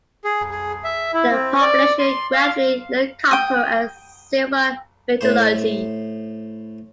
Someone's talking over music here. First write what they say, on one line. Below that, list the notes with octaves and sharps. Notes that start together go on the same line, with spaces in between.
The population gradually learned copper and silver metallurgy.
G#4
G#4
E5
E4
C4
D5
C6
F5
G5 D#6
A2 C5